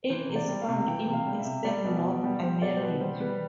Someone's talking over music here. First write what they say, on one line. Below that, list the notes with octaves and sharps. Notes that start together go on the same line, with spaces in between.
It is found in eastern North America.
E3 C5
C3
D5
G3
F5
C3
E3 G5
C3
F5
G3
E5
C3
G3 D5
B2
B2
G3
G3 C5
B2 D5
C5
B2 B4
G3 C5
G3 B4